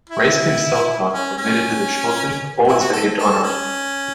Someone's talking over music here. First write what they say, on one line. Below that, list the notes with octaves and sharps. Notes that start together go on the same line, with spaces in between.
Reiske himself, however, admitted that Schultens always behaved honourably to him.
E4
C#4
C#4
E4
F#4
A4
A4
C#4